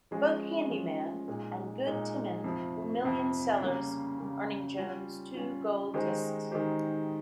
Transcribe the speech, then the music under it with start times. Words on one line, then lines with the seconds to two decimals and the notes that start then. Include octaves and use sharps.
Both "Handy Man" and "Good Timin'" were million sellers, earning Jones two gold discs.
0.11 F3 G#3 C#4 F4
0.69 F3 G#3 C#4 F4
1.28 A#2 G#3 D#4
1.86 A#2 G#3 D#4
2.44 F2 C3 F3
3.02 F2 C3 F3
3.61 C#3 G3 A#3 C#4
4.18 C#3 G3 A#3 C#4
4.77 G3 C#4 F4
5.34 G3 C#4 F4
5.94 D#3 G#3 D#4 G4 C5
6.51 D#3 G#3 D#4 G4 C5